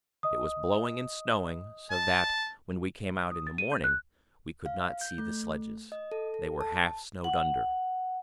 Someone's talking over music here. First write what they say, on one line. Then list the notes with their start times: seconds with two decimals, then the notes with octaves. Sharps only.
It was blowing and snowing so that when we came out in the morning we could not see the sledges; they were half snowed under.
0.23 D#5 D#6
1.91 A5
3.31 D#6
3.47 A6
3.58 D#7
3.72 G6
3.84 F#6
4.66 F5
5.01 G6
5.18 A3
5.92 D#5
6.12 A4
6.34 A4
6.61 A5
7.24 F#5